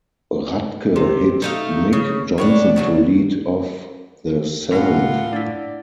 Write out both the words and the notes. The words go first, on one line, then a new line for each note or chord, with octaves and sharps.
Radke hit Nick Johnson to lead off the seventh.
C3
A3 D#4 F5
C#3
A2 C#4 D4
C#3 F#3 A3
A2 F4 A#4 F#5 G#5
D4 E4 D5